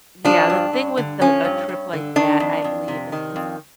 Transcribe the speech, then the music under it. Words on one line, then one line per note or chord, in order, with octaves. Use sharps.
Yeah, the thing with the a trip like that, I believe, is ins
F3 D4
G2
G2
D3
F3 C#4
G2
G2
D3
D#3 D4
F2
F2
C3
D#3
F2